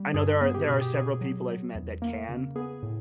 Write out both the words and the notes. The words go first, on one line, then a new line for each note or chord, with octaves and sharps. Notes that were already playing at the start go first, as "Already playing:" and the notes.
I know there are there are several people I've met that can,
Already playing: G3
G2 G#4
B3 G#4
G4
B2 G#4
G4
B2 G#4
F#3
F#3
E2
A#3
C#3
B3 G#4
A2